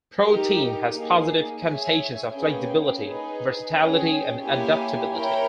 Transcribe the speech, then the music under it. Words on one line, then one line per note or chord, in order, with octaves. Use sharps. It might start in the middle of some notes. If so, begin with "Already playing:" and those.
"Protean" has positive connotations of flexibility, versatility and adaptability.
D#4 G4 A#4
A#3 D#4 G#4
G#4 C#5 E5 G#5
A#3 C#4 G#4 B4 G5
D#4 G#4 B4
C#4 G#4 C#5 G5
A#3 E4 G4 C#5 G#5
E4 A#4 C#5 G5